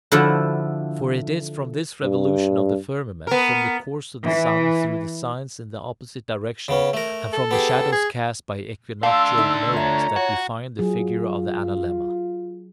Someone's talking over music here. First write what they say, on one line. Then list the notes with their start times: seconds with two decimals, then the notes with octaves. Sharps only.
For it is from this revolution of the firmament, from the course of the sun through the signs in the opposite direction, and from the shadows cast by equinoctial gnomons, that we find the figure of the analemma.
0.12 D3 F3 E4 F#4
2.03 G2
3.27 B3 A#4
4.24 E3
6.68 C#3 B3 C#4
6.94 A3 A#4
7.33 A4
7.51 B3 G4 G#4
7.93 G#4
9.03 A3 D4 F5 C6 E6
9.38 D#4 E5
9.73 F4 C#5 E5 A#5
10.16 F#4
10.79 F#3 F4 G#4